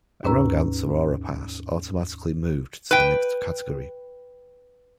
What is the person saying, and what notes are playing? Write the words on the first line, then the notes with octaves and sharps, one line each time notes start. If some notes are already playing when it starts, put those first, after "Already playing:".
A wrong answer or a pass automatically moved to the next category.
D#2 G#2 C#4 B4 A#5 E6
B4 G5